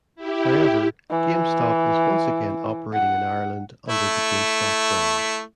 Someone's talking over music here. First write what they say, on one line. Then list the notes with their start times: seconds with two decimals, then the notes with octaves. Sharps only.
However, GameStop is once again operating in Ireland under the GameStop brand.
0.16 E4 G4
1.10 E3
2.93 F#5
3.88 A3 E4